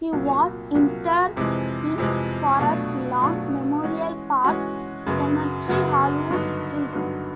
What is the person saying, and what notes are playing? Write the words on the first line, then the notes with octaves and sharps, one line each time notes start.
He was interred in Forest Lawn Memorial Park Cemetery, Hollywood Hills.
C2 A#2 F#3 A#3
C2 A#2 F#3 A#3
F2 C3 E3 G#3
F2 C3 E3 G#3
B2 F#3 A3 D4 F4
B2 F#3 A3 D4 F4
E3 G#3 C#4 F#4
E3 G#3 C#4 F#4
F#2 C#3 F#3 B3
F#2 C#3 F#3 B3
G2 D3 F#3 B3 D#4
G2 D3 F#3 B3 D#4